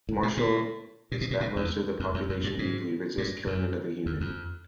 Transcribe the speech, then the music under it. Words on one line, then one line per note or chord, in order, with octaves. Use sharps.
Marshall, is that most of the population deeply resists killing another human.
A2
A#2
A#2
A#2
B2
A#2
A2
E2
F2
F2
F#2
G2
G#2
G2
F#2
E2
F2